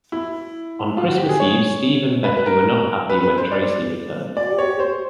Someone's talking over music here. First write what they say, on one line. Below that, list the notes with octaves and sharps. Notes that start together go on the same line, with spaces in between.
On Christmas Eve, Steve and Becky were not happy when Tracy returned.
E4
F4
F#4
G4
G#4
C#5
B4
B4
A#4
B4
B4
C5
D5
D5
C#5
C5